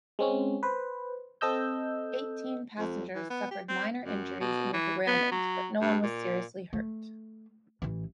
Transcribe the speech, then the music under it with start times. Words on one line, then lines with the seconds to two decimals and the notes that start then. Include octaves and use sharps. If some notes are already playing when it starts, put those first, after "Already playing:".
Eighteen passengers suffered minor injuries in the derailment, but no one was seriously hurt.
0.19 G#3 C4 C#4
0.63 B4 C5
1.41 C4 A4 D#5 E6 G6
2.78 F2
3.15 E3
3.30 B3
3.51 G4
3.69 C4
4.04 F#2
4.40 B2
4.73 E3
5.07 B3
5.32 F#3
5.81 G2
6.03 A#2
6.73 A3
7.82 A1 E3